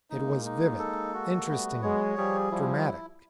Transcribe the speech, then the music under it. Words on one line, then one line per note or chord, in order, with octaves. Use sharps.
It was vivid, interesting, dramatic.
G#3 A#3 D#4
D#4
A4
F#4
G3 A3 B3
F#3 G#3 C#5
F3 G3 G#4
F3 G3 E4